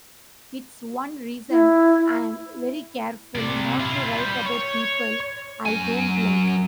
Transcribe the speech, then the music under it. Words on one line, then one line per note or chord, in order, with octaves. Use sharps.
It's one reason I'm very careful not to write about people I don't like.
E4
C3 D5
E4 F4
G3 G5
C#5
F#2 G#5